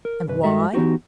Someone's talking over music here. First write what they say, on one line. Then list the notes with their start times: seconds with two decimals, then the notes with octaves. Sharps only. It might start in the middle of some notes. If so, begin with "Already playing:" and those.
And why?
0.05 A#4
0.28 B1 F#2 B4
0.44 G2 G#3 F#4 A4 E5
0.73 E3 B3 D#4 F#4 G4